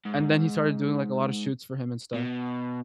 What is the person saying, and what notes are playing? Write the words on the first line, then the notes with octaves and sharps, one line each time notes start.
and then he started doing, like, a lot of shoots for him and stuff,
G#2
B2